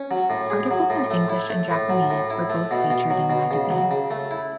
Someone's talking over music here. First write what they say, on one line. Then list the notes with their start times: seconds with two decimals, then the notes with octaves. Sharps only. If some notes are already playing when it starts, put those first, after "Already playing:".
Articles in English and Japanese were both featured in the magazine.
Already playing: C#4
0.11 F#3
0.30 A2
0.50 G#4
0.71 F#3
0.90 A2
1.10 A3
1.30 E4
1.50 A3
1.71 A2
1.90 F#3
2.10 A2
2.30 E4
2.50 A3
2.71 B2
2.90 B2
3.10 F#3
3.30 B2
3.51 C#3
3.70 F#3
3.91 C#3
4.11 A3
4.31 E4